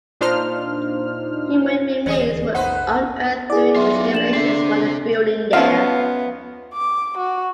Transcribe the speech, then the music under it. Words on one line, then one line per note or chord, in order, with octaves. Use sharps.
Human remains were unearthed during excavations for the building there.
A#2 D4 D#4 F4 C5 F6
D#1 D2 E3 G3 G#4 D#5
F1 B1 D#4 B4 C5 F#5
E4 G#4 D5
B1 F4 F#4 E5 C6
A#1 A6 E7 F#7
D3 C4 E5 C7
B3 C#4 D#4 F4 E5 F5
D6
F#4